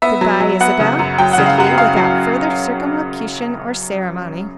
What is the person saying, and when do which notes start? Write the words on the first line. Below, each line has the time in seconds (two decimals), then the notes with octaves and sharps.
"Good-bye, Isabel," said he, without further circumlocution or ceremony.
0.02 B3 E5
0.21 F#3
0.40 F#3
0.61 B3 F#5
0.80 C#3
0.99 F#2
1.18 F#3 G5
1.33 C#3 F#5
1.46 F5
1.58 F#2 F#5
1.77 F#2 F5
1.96 F#3